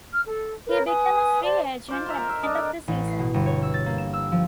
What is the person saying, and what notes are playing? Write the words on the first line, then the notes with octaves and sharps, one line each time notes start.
He became a free agent at the end of the season.
F6
A4
A#4 B4 C#5
B4 G#5 D#6
C5 D5 A5
F4 C5 D6
E5 A#5 C6
A#4 G#5
E5
D4 D5 D#5
A4
A1
C7
B2
G1
C#5
E6
A6
A#3
E7
E6
F3